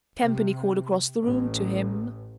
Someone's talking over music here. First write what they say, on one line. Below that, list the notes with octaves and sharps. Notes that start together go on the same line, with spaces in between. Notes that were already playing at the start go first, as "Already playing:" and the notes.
Campany called across the room to him.
C3
A1